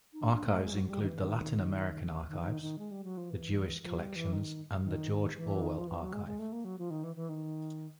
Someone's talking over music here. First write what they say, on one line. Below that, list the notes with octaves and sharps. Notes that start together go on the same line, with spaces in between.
Archives include the Latin American archives, the Jewish collections and the George Orwell Archive.
D#4
D4
D4
A3
G#3
F#3
F#3
G3
D#3
E3
D3
D#3
D#3
E3
D#3
D#3
G#3
G3
F#3
F3
E3
F3
G3
E3
D#3
D#3
E3
D#3
F3
E3
F#3
G#3
G#3
A3
A#3
F#3
F3
D#3
E3
E3
D#3